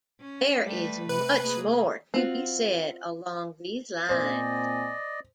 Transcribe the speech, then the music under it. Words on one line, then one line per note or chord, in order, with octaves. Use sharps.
There is much more to be said along these lines.
C#4
G3 A3 B4
C3 B4
A#3 G#4
C4 F4 F#4
A#2 C4 C5 D5 D#5 G#5